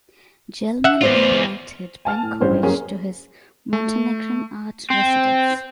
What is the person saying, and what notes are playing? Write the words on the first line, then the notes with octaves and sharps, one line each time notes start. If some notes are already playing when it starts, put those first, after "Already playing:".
Gelman invited Benkovich to his Montenegrin art residence.
E5 F#5
E2 B3 F4 C5 D5
G#5 A5 F6
A2
A1 G2 C#4 C5
F#2 A#3 C#4 G#4
A3
C4